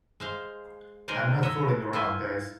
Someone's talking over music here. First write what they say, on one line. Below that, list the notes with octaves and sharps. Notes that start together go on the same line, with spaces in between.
I'm not fooling around guys.
G#3 C5 F5
G#3 D#4 G#4 A#4 C5 D5
C#5 D#5 E5
E4 F4 C5 G#5